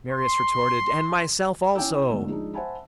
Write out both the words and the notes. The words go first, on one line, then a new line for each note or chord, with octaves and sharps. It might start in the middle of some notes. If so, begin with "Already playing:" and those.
Marius retorted: "And myself also."
C6
C#4 E4 G5 G#5 D6 E6
G#2 B2 D3 A3
F3 G#3 D4 D#4
C5 E5 F#5 G#5 A5 B5